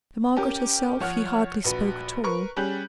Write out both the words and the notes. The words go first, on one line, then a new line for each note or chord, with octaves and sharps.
To Margaret herself he hardly spoke at all.
C#4 G4 A#4
F3 C#5 F#5 F6
A#1 F#4 B4
A#4 B4 C#6
G3 C#4 G#4 F#6 G6 F#7